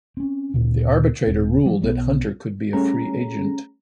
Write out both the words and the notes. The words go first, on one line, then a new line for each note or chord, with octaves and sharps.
The arbitrator ruled that Hunter could be a free agent.
C4 C#4
D2 A#2 C#3
D#1 C4
E3 F3 G3
B1 B3
G3 A3 C#4 G#4 A#5